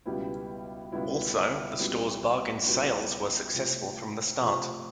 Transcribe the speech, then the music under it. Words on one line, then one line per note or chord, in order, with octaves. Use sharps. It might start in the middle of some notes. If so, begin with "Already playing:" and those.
Also the store's bargain sales were successful from the start.
C#2 B2 G3 B3 E4
C#2 B2 G3 B3 E4
C#2 B2 G3 B3 E4
C#2 B2 G3 B3 E4
C3 F3 A3
C3 F3 A3